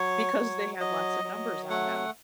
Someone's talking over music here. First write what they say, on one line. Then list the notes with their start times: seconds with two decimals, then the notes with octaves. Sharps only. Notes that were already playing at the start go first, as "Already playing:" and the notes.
because they had lots of numbers on them.
Already playing: F#3 C#5
0.34 F#3
0.79 F#3 D#5
1.24 F#3
1.70 A3 F#5